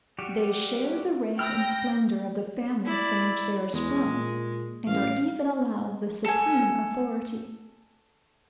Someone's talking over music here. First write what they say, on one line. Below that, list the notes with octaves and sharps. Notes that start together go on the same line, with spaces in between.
They share the rank and splendor of the families from which they are sprung, and are even allowed the supreme authority.
G3 F#4 G4
G5 B5 E6 F6 A#6
E4 D5
E2 G#3
A#2
A1 F5
A4 G#5